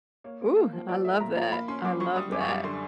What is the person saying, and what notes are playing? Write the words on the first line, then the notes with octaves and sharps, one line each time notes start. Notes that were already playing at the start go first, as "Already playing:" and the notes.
Ooh, I love that, I love that.
A#3 C#5
A#3
A#3
F3
F3 D5
A3 E5
A#2 A#5
F3 A#5
A#3 B5
C#4 C6
F#3 D6
F#3 C#6
G3 D#6
F#2 D6
C#6
G3 D6
D3 C6